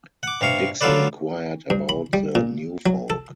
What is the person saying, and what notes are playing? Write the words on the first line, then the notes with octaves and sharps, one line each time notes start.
Dickson inquired about the "new folk."
F#5 D6
G2 C3 F5 C#6
D3 F#3 F4 A4 B4 D5
G2
B5
G3
A#2
F#3
A4